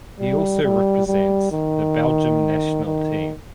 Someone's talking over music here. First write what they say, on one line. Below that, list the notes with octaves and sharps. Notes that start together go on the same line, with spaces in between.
He also represents the Belgium national team.
G3
G3
G3
D#3
D#3